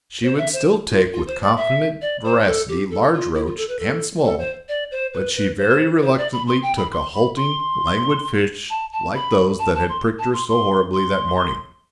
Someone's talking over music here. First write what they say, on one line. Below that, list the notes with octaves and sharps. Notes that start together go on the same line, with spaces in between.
She would still take with confident voracity large roach and small; but she very reluctantly took a halting, languid fish like those that had pricked her so horribly that morning.
C5
E5
C5
F4
F4
C5
D5
E5
D5
C5
A4
G4
A4
F4
E4
F4
A4
B4
A4
A4
C5
D5
C5
B4
B4
C5
C5
D5
B5
C6
G5
B5
C6
B5
C6
A5
A5
B5
A5
A5
C6
A5
C6
C6
C6